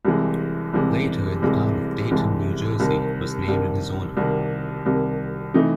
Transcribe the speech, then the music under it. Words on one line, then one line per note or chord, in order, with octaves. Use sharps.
Later, the town of Dayton, New Jersey, was named in his honor.
C2 C3 E3 G#3
C2 C3 E3 G#3
C2 C3 E3 G#3
C2 C3 E3 G#3
C2 C3 D#3
C2 C3 D#3
C2 C3 D#3
C2 C3 D#3
C3 E3 A3 D#4